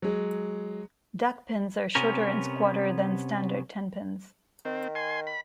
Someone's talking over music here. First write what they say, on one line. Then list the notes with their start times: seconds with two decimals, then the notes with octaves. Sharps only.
Duckpins are shorter and squatter than standard tenpins.
0.02 F#3 G#3
1.95 C3 B3 C#4 A#4
4.65 D#3 C4
4.95 G#5 C6
5.27 B5